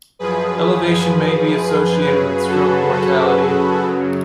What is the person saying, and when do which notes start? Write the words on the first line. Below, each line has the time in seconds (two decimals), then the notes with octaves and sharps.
Elevation may be associated with stroke mortality.
0.19 F#2 F3 G#4 B4
2.02 F#2 C#3 F#3 G#4 B4
2.47 F#4 A4
2.93 F#4 A4
3.84 F#2 C#3 F#3